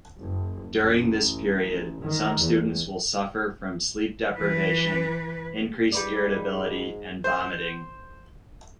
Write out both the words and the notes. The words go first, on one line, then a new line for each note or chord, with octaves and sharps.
During this period, some students will suffer from sleep deprivation, increased irritability, and vomiting.
F#1
A1
D#3
E2
E3 B4
G#2 G3 B4 D5
C5